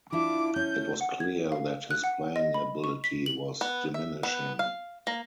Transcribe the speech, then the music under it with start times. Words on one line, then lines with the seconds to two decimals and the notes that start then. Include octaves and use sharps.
It was clear that his playing ability was diminishing.
0.12 D4 E4 F4 D6
0.56 C#4 G6
1.01 F#5
1.20 G#6
1.52 F5
1.91 F#6
2.04 F#5
2.36 D#5
2.54 B5
2.84 C#6
3.04 B6
3.26 F#7
3.61 B3
3.94 E5
4.23 B3
4.59 F5
5.07 A#3